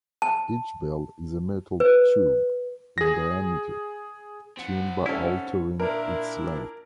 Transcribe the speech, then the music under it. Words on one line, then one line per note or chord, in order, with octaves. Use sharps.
Each bell is a metal tube, in diameter, tuned by altering its length.
A5
B4
G#4 A#6
C4 F#5
C2 C#4 E4 A4
A#2 D4 E4 A#4